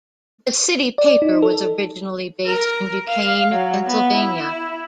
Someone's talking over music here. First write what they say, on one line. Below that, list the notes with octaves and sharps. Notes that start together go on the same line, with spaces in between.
The "City Paper" was originally based in Duquesne, Pennsylvania.
D5
D#4
A4
A#4
F5
F#3
B3
E4